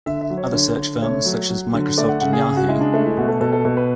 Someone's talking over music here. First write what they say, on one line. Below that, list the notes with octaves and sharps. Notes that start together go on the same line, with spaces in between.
Other search firms, such as Microsoft and Yahoo!
D3 E5
E5
F#3
C#5
D3
D3
A3 C#5
F#3
F#3
D3
A3 D5
F#5
C#3 F#5
G#4
C#3 G#4
F#4
G#3 E4
D4
A3 D4
E4
B2 F#4
A4
B2 A4
A4
B2 A4
B4